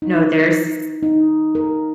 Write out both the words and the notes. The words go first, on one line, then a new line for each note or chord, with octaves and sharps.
No. There's
D#4
D#4
A#4